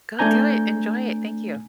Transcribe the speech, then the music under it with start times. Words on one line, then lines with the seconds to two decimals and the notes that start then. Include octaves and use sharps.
Go do it, enjoy it, thank you.
0.19 A3 C4 D4 G#5 A#5 G6